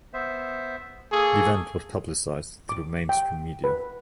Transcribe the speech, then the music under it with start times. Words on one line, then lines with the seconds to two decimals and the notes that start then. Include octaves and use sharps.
The event was publicized through mainstream media.
0.14 B3 C5 E5
1.12 A#3 G#4 A4 C#6
2.69 D6
3.09 G5
3.64 B4